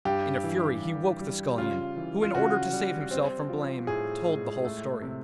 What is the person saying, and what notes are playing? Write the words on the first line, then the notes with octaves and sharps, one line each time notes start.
In a fury he woke the Scullion, who in order to save himself from blame told the whole story.
G2 G4
E3
G2
G3
C#3 F4
E3
F4
C#3 F#4
G3
C4
F3
A2 G#4
G#3
A3
C3